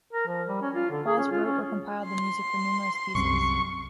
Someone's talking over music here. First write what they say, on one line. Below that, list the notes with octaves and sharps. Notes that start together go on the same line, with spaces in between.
Hawes wrote or compiled the music for numerous pieces.
A#4
F3
G3
C#4
F4
D3
G#4
C#4
F4
C#4
C6
C2 F#2 C3 C#6